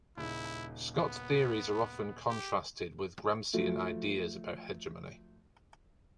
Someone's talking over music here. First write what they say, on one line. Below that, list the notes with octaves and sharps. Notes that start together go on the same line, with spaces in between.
Scott's theories are often contrasted with Gramscian ideas about hegemony.
D#1 C#3 D#4 E4
B3
G4
F3 F#3 A3